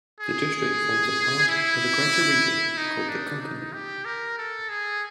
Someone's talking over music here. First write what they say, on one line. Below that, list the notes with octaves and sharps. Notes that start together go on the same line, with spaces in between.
The district forms part of a greater region called the Konkan.
G#4
E4
D#4
D4
D#4
G4
A#4
A4
G#4